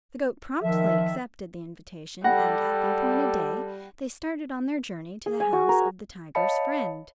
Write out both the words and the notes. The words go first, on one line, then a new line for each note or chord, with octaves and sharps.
The goat promptly accepted the invitation and at the appointed day they started on their journey to the house of the tiger's friend.
D#3 F3 E5
G3 G4 A4 F#5 G5 B5 A#6
G#4
G#5
F#4
A#4
C#5 D#5 F5 A5 B5 C#7